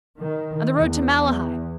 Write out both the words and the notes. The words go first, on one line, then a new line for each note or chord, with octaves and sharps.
On the road to Malahide.
D#3
E2